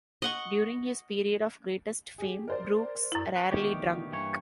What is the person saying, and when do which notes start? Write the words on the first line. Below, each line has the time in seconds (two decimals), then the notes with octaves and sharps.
During his period of greatest fame, Brooks rarely drank.
0.22 D#5 F#5 C#6
2.18 G4 G#4
2.48 A#4 C5 D5
3.12 F#2 E4
3.36 C#4 B4
3.51 D2 G#2 B2 D#3 G4 C#5
4.12 G2 E3 A#3 C#5